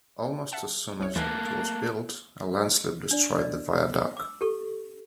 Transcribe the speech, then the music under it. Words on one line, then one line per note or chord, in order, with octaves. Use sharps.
Almost as soon as it was built a landslip destroyed the viaduct.
E5 F#5 A5
C2 C#5
D#2 E3 A3 A#3 A5 F#6
D4 D5
D5 D#5
D6 E6
G4 A4 C#6